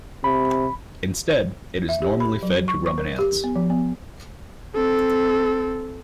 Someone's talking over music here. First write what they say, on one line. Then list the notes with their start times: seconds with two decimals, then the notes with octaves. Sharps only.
Instead, it is normally fed to ruminants.
0.24 C3 B5
1.89 E5
2.02 G4
2.20 B5
2.43 F#3
2.68 C#6
2.86 C#6
2.98 A#4
3.19 G4
3.44 B3
3.56 F3
3.70 B3
4.75 C4 A4